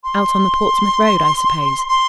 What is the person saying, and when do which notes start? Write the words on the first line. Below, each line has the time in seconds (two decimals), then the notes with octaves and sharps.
"Out on the Portsmouth Road, I suppose?"
0.04 C6
1.88 C6